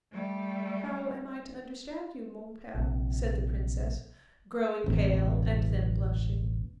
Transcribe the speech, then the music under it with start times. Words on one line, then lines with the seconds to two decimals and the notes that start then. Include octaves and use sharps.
"How am I to understand you, mon pere?" said the princess, growing pale and then blushing.
0.12 G3 A3
2.74 A#1 C3
4.84 E1 A1 C3